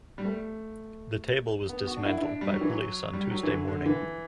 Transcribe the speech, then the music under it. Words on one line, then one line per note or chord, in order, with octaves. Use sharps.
The table was dismantled by police on Tuesday morning.
G3
A3
B3
F#4
D4
E4
E4
D4
G3
F#3
E3
F#3
G3
F#3
E3
D3
D3
E3